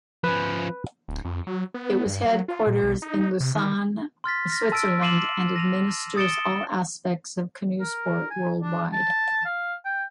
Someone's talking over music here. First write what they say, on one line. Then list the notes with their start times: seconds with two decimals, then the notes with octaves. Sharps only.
It is headquartered in Lausanne, Switzerland, and administers all aspects of canoe sport worldwide.
0.24 F3 C#4 B4
1.08 D1
1.25 F2
1.47 F#3
1.74 B3
2.06 G2
2.25 F#3
2.48 F4
2.67 A#2
2.84 B1
3.02 D#4
3.40 C3
3.55 D#3
4.24 C6 F6 A6 B6
4.50 F6 A#6
4.72 A5 E6 A6 D7
5.01 C6 D6 C7 D#7 E7 F#7
5.56 A#6 D#7 F7
6.16 D#6 A6 C#7 D7 E7 G7
7.80 A#4
8.30 G#5
8.62 D4
8.93 A5
9.45 F5
9.85 G5